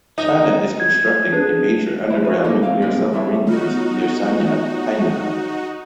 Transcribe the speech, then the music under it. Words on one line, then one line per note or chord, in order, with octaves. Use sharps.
China is constructing a major underground nuclear submarine base near Sanya, Hainan.
D#4
G#6
D4 G#4 B4
E4 C5
B4 C#5
A#3 D#4 E4 A4 A#4
F#3 C4 C5 F5
G#2 C3 G3 G#3 A#3 C#4
G3 C4 E4 C#5 D5 E5
B3 D#4 F4 F#4 C#5